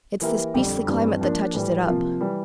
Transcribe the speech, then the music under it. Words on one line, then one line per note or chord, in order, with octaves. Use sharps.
It's this beastly climate that touches it up.
E3 A#3 E4 G4 A#4
F2 D3 G3 C4 G4
G2 E3 G3 C4
F3 A#3 D4
A2 E3 G3
C3 F3 A#3 F4
E3 G3